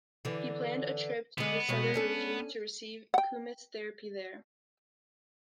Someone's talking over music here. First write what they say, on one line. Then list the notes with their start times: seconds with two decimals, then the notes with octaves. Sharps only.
He planned a trip to the southern regions to receive kumiss therapy there.
0.25 D3 E3
1.38 D3 G#3 B3
1.69 B2 F#3 G#3
1.94 C#4 D4 A4
3.14 F#5 G5